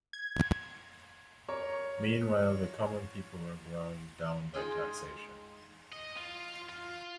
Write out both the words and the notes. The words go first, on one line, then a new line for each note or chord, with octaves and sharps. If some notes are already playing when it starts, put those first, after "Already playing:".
Meanwhile, the common people were ground down by taxation.
G#6
A#4 C#5
G#3 D#4 F4 G#4 D#5 G5
D#5
F4
F4